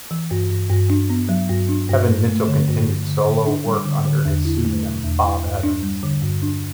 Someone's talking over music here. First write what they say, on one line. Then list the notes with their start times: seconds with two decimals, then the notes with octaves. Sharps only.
Kevin Mitchell continued solo work under his pseudonym, Bob Evans.
0.11 E3
0.31 G2
0.50 G2
0.70 G2
0.90 D4
1.10 B3
1.29 F#3
1.49 G2
1.69 D4
1.89 G2
2.09 G2
2.28 A3
2.48 D3
2.68 G2
2.87 G2
3.07 D3
3.26 D3
3.46 D4
3.66 G3
3.86 D3
4.05 D3
4.25 E2
4.45 E4
4.65 A3
4.85 B2
5.04 E2
5.24 E4
5.44 G2
5.63 D4
5.83 G3
6.03 D3
6.22 G2
6.42 D4